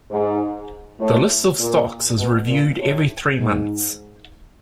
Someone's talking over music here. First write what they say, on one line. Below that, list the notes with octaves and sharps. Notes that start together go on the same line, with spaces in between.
The list of stocks is reviewed every three months.
G#2
A2
A#2
B2
A#2
A2
G#2